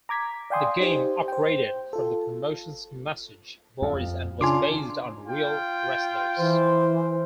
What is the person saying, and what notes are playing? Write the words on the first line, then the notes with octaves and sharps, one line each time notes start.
The game operated from the promotion's message boards and was based on real wrestlers.
A#5 D6 G#6 B6
D5 F5 G5 G#5 C6 D#6
D#4 G4 C5
C5 G5
F4 A4
F2
C#3 D4 F4 G#5 C6 D6
F4 G5
E3 C5